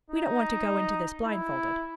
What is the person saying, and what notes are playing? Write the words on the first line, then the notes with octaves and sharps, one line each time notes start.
"We don't want to go into this blindfolded."
D#4
E4